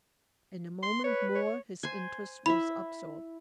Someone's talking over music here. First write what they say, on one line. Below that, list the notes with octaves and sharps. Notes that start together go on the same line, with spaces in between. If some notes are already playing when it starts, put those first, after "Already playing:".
In a moment more his interest was absorbed.
C6
B4 C#5
C#5
C5 G#5
E4 E5 B5